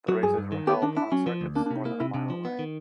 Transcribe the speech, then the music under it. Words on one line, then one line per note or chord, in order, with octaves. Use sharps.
The races were held on circuits more than a mile away.
F#3 F#4
G2 G#4
G2
D#3
B3 G4
D#3 D4
D4 E4
F#3 C#4
F3
D2
A#3 D4
D4
C3 D#4
A#3 E4
C3 E4
C3 D4
F3
B3
D#3